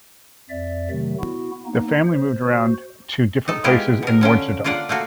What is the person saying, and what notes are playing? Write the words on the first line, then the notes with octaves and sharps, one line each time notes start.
The family moved around to different places in Morgedal.
F2 D5 E5
C3 D#3 F#3 A3
B3 E4 F#4
A#3 B3 D#4
C5
F#4 C5
D#4 A4
G#3 B3 E4 F4 G4 A#4
B2 A#4
D3 C#4 F4 G5
A#3 D4 F4 D5 F#5
A3 A#3 F4 F#4